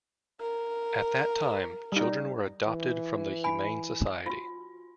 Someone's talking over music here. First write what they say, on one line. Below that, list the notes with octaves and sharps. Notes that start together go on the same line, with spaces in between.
At that time, children were adopted from the Humane Society.
A#4
G3 D#4
E3
G#5 B5
F4 F#4